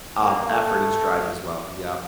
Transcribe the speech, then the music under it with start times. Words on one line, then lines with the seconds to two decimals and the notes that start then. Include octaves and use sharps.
um, effort and strife as well. Yep.
0.20 A#3
0.49 A3